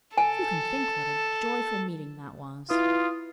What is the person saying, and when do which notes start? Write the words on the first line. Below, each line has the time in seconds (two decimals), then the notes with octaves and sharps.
You can think what a joyful meeting that was!
0.18 A4 G#5
2.70 E4 F4 B4 D#6